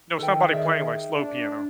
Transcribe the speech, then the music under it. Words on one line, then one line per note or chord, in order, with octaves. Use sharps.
know, somebody playing, like, slow piano.
D#3 A4 B4 G5
G#4 D5 E5
D4